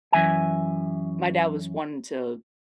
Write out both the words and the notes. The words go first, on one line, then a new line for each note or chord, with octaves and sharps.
my dad was one to
F#2 E3 E5 G#5